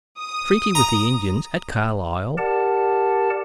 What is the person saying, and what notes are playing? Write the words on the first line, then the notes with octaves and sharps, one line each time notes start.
Treaty with the Indians at Carlisle.
D#6
A#5
G4 A#4 D5 F#5 A5